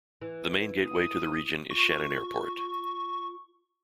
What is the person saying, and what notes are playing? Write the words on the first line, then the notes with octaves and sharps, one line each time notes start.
The main gateway to the region is Shannon Airport.
E3
D#6
F4 C#6